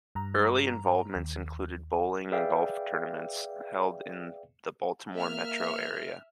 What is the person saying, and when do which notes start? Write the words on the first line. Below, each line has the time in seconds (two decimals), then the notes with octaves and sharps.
Early involvements included bowling and golf tournaments held in the Baltimore metro area.
0.15 G2 A#5
1.16 D#2
2.32 G#4 B4 D5 E5 F5 G5
5.15 A#3 E5 F6